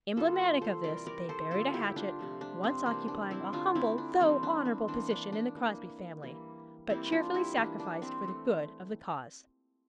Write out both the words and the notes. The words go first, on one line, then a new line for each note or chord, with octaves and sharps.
Emblematic of this they buried a hatchet, once occupying a humble though honorable position in the Crosby family, but cheerfully sacrificed for the good of the cause.
D3 G3 A#3 F4 A4
A4 C5
C3 E3 G3 A#4 D5
A#4 D5
A4 C5
D3 G3 A#3 F4 A4
E4 G4
D4 F4
C3 F3 A3
D4
C4
C3 E3 A#3 D4
D4
C4 E4
D3 A3 D4 F4
C4 E4
D4
E3 G3 A#3 C4 E4
D4
C4
E3 A#3 D4
D4
D4
E3 A#3
E3 G3 A#3
E3 G3 A#3 C4 E4
D4 F4
E4 G4
E3 G3 A#3 D4
D4
C4
E3 A3